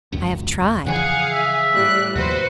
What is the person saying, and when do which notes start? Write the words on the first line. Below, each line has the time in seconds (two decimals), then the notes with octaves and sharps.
I have tried.
0.12 E1 C#2 F#2
0.86 C#3 E3 F3 G#4 F5 F#5
1.31 E5
1.72 A2 G3 F#6
2.15 D#2 C3 F3 F#4 B4 C5